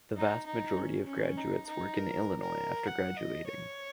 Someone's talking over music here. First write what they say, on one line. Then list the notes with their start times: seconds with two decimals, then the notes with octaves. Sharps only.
The vast majority of graduates work in Illinois after graduating.
0.17 D#4
0.46 D#4
0.77 C#4
1.07 C#4
1.37 D#4
1.67 D#4
1.97 A#4
2.41 A#4
2.87 F#5
3.17 D#5
3.47 C#5